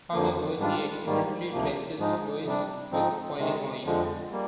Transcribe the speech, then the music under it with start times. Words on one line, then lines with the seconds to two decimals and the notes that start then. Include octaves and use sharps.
However, he accidentally drenches Lois with boiling oil.
0.12 F2 D3 F3 A#3
0.59 G#2 G3 D4 F4
1.06 G#2 D#3 G3 A#3
1.52 D2 C3 F3 A#3
1.99 G#2 F3 G#3 D#4
2.45 C3 G3 D4
2.91 G#2 F3 C4 D#4
3.38 C3 D#3 G#3
3.85 F2 D3 F3 G#3
4.32 G3 A#3